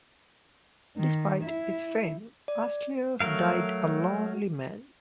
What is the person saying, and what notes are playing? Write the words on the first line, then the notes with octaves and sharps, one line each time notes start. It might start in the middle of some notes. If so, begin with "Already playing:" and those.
Despite his fame, Astylos died a lonely man.
D#3
E4
D5
F#3 A3 A#4 F5